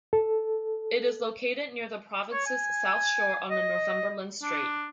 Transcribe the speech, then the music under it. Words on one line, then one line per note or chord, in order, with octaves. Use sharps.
It is located near the province's south shore on the Northumberland Strait.
A4
C#5
G#5
D#5
D4